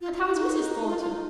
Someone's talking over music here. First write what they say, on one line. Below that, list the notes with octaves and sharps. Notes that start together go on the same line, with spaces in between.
And how is Mrs. Thornton?
F4
F4
F4
D#4
F4
F4
D#4